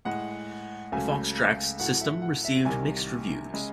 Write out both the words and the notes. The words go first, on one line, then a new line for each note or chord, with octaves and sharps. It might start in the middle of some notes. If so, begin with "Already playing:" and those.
The FoxTrax system received mixed reviews.
A2 G#3 F#5
C#2 C#3 F#3 A3 G#5
A2 F#3 A3 F#5
E5
F#5
E5
C2 C3 D#3 G#5
C#3 G#3